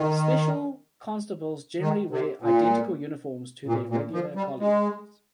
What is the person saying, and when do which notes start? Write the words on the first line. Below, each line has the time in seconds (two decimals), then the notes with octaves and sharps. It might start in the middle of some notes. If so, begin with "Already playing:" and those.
Special constables generally wear identical uniforms to their regular colleagues.
Already playing: D#3
1.79 D#3
2.11 C3
2.42 A#2
3.66 A#2
3.89 A#2
4.13 F3
4.35 G3
4.60 G#3